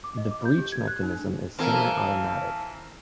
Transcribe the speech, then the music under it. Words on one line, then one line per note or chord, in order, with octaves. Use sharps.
The breech mechanism is semi-automatic.
D6
D#5
D6
G6
G4
G#6
F#6
D#4
D4
E3 C4 A4 A#4 F5 A5